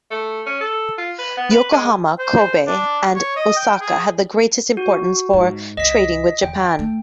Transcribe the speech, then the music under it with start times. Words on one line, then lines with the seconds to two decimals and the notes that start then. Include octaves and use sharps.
Yokohama, Kobe and Osaka had the greatest importance for trading with Japan.
0.11 A3
0.46 C#4
0.60 A4
0.98 F4
1.19 B4
1.37 B3
1.51 B4
1.72 G#3
2.19 C5
2.67 D4
3.15 C#5
3.36 D#5
3.56 G5
3.81 G#4
4.77 F#4
5.33 G#2
5.77 C2 D#5 B6
6.43 E2 G5
6.79 A3